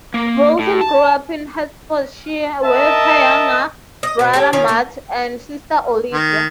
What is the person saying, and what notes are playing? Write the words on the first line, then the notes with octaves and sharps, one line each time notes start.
Wilson grew up in Hertfordshire with her younger brother Matt, and sister, Olivia.
A#3
A2
A5
A#4 D#5 E5 A5
D#5
B2 C4
A3 G4 A4 C#5
D#3 C#4 F4
A#3 A#4 G5
D#3